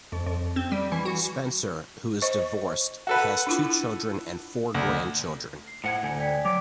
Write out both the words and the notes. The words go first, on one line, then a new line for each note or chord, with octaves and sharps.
Spencer, who is divorced, has two children and four grandchildren.
F2
F2
C4
G3
E3
F#4
C5 D#5 C#6
F#4 A4 B4
D4 E4 F4
D2
C7
A2 C5 F#5 G#6
D2 G#5 G#6
D5 G5 B6
F#3 D6